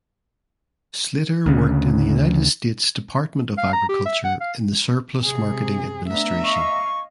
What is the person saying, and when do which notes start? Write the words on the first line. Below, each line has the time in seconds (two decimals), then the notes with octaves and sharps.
Slater worked in the United States Department of Agriculture in the Surplus Marketing Administration.
1.46 D2 C#3
3.58 F5
3.73 A#5
3.89 G4
4.06 E5
4.24 F#5
4.40 F5
5.24 C3 G#4
6.08 A3 B3 D4 E5 A#5
6.43 D#5 F5 C#6